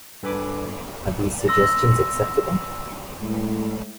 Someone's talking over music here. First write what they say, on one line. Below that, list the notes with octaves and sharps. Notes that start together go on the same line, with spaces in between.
Are these suggestions acceptable?
G2 A4 B4 G#5 B5 D6
C6 E6 A#6
A2 G#3